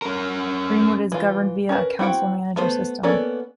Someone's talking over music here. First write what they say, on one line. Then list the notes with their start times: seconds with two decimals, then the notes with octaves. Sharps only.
Greenwood is governed via a council-manager system.
0.02 C#4 A#4
1.12 E3 F4
1.69 C#4 A#4 B4
1.99 C4 E4 F#4 F#5 G5
2.56 A3 B3 C5
3.03 A#3 B3 C#4 A4 D5